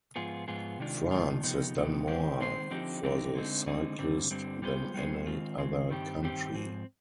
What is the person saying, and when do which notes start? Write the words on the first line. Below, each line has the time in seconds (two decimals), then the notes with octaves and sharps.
France has done more for the cyclist than any other country.
0.16 G#2 F3 B3 F4 G#4
0.48 G#2 F3 B3 F4 G#4
0.79 C3 D#3 G#3 D4 F4
1.11 C3 D#3 G#3 D4 F4
1.43 C3 F3 B3 D#4 G4
1.75 C3 F3 B3 D#4 G4
2.07 D#3 G#3 C4 G4 C5
2.39 D#3 G#3 C4 G4 C5
2.70 D3 F3 C4 D#4 G4
3.03 D3 F3 C4 D#4 G4
3.34 D3 G#3 C4 D#4
3.67 D3 G#3 C4 D#4
3.98 G2 D3 G3 C4
4.30 G2 D3 G3 C4
4.62 G3 B3 F4 G#4 C5
4.94 G3 B3 F4 G#4 C5
5.26 D#3 G#3 C4 F4
5.58 D#3 G#3 C4 F4
5.90 G2 D#3 G3 C4 G4
6.22 G2 D#3 G3 C4 G4
6.54 G#2 F3 C4